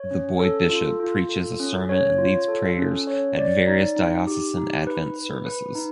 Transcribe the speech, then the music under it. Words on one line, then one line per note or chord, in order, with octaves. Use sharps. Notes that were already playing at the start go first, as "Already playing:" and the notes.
The Boy Bishop preaches a sermon and leads prayers at various Diocesan Advent services.
Already playing: C#5
C#4
A4
F4
F4
A4
C#4
C#5
F4
A4
C#4
C#5
D5
D#4
D#4
G4
D#4
B4
B4
B4
D#4